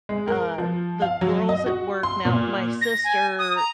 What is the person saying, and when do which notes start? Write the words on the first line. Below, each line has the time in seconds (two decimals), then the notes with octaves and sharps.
uh, the girls at work now my sister
0.09 G#3
0.28 A#4
0.58 F3
1.02 F5
1.21 F#3
1.49 D#5
1.66 F#4
2.03 C6
2.25 A#2
2.81 A#6
3.05 G#5
3.39 D#6
3.56 A#5